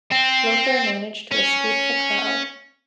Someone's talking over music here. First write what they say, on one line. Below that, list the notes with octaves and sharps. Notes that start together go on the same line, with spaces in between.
Loper managed to escape the crowd.
C4
C#4